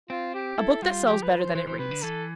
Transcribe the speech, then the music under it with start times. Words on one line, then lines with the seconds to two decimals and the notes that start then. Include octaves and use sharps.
A book that sells better than it reads.
0.10 C4 F4
0.34 G4
0.58 E4 A4
0.82 G3 F4
1.06 F3 G4
1.23 B4
1.38 C5
1.55 E3 C5
1.67 E3 C5
1.79 C3 B4
1.91 D3
2.02 E3 A4